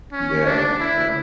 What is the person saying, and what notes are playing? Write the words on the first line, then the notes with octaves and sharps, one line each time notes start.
Yeah. Yeah.
C#4
D4
E4